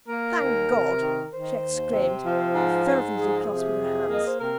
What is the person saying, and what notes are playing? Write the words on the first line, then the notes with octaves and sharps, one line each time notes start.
"Thank God!" she exclaimed, fervently clasping her hands.
A#3 A#4
D#2
C3
D#3
D#3 C5
D#2
C3
F3
G#2
G#2
F3 G#4
C3
F2
A#3 D#5
C5
C3 A#4